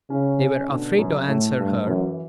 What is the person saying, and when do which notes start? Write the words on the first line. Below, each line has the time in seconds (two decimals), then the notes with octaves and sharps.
They were afraid to answer her.
0.10 C#3 C#4
0.40 C#4
0.69 B2 D3
0.98 F#2
1.27 A2 A3
1.57 G2 A3
1.86 F#2 E3